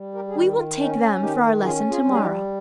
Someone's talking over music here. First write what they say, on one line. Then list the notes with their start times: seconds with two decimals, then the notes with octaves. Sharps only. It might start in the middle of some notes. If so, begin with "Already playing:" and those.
We will take them for our lesson to-morrow.
Already playing: G3
0.14 G4 A#4
0.28 G#4
0.35 D#3 D#4 G4
0.57 F4
0.78 C#4 D#4
1.20 D#3 D#4 G4
1.62 C#4 F4 G#4
1.90 F4 G#4
2.04 G3
2.12 G#4
2.18 D#4 G4